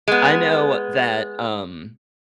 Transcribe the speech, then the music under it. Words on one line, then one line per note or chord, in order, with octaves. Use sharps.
I know that, um
G#3 B3